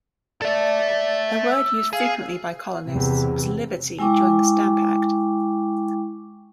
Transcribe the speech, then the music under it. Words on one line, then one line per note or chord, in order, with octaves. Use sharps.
A word used frequently by colonists was "liberty" during the Stamp Act.
A4 D5 E5
E6
G#4 F5
E2 C3
G#3 E4 G5 C#6 D6